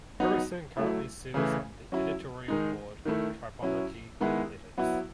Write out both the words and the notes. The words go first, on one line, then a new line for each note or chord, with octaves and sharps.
Harrison currently serves on the editorial board of Tribology Letters.
F#3 B3 D#4
F#3 A3 E4
C#3 E3 A3
F#3 C#4 E4
D#3 G#3 D#4
D#3 A3 E4
F#3 C#4 E4
D#3 G#3 B3 E4
F#3 B3 E4